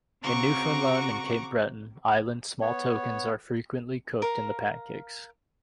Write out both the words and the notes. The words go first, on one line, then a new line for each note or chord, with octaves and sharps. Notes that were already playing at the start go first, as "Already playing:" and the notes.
In Newfoundland and Cape Breton Island small tokens are frequently cooked in the pancakes.
C#3 C4 F#4 A#5 C#6 D6
B3 C#5
A#4 F5